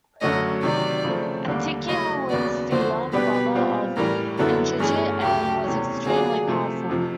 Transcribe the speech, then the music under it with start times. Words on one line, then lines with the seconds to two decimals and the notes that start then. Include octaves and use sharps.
Atikaya was the younger brother of Indrajit and was extremely powerful.
0.21 F#2 D3 F#3 A3 C#4 D#5
0.63 C3 D#3 F#3 D5
1.04 C#3 F3 A3 C4
1.46 D#2 D3 G3 A#3
1.88 C#3 F#3 A3 C#4 E4 D#5
2.30 D#2 C#3 F#3 B3 D5
2.72 D#2 D3 F3 C5
3.13 B2 G3 B3 D4 G4 B4
3.55 A#2 G3 C4 F4
3.97 A2 E3 G3 A#4
4.38 F#2 D3 F#3 B3 E4 A4
4.80 G2 E3 A3 C#4 G#4
5.23 D2 C#3 F#3 G4
5.64 E2 C3 E3 A3 C#4
6.06 D3 F#3 A#3 D4 F4 G#4
6.47 C3 F3 A3 C4
6.90 F2 C3 F3